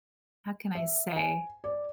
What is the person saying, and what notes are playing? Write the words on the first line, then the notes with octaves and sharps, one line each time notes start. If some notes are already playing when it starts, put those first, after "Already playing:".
how can I say?-
E5
G#5
D5